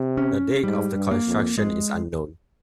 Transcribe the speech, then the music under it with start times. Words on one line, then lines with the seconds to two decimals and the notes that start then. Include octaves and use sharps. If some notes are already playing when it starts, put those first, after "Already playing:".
The date of its construction is unknown.
Already playing: C3
0.17 C#4
0.64 G#2 G3
0.95 G2
1.11 A#3
1.27 F2
1.58 F2 G#3